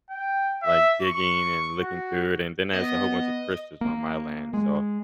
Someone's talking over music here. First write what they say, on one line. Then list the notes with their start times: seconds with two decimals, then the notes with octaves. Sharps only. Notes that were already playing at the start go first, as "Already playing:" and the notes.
like, digging and looking through it, and then there's a whole bunch of crystals on my land. So,
0.10 G5
0.63 E5
1.02 C#6
1.80 F#4
2.74 B3 D#5
3.81 A#3
4.54 G#3